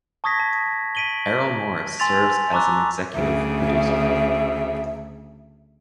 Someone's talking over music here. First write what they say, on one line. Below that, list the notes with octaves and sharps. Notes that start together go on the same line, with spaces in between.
Errol Morris serves as an executive producer.
A5 C#6 D#6 G#6 A#6 B6
A5
B6 D7 D#7 F#7 G7
G#5 C6 E6 A6 F7
A5 A#5 C#6 D6 E6 F#6
D2 C#3 E5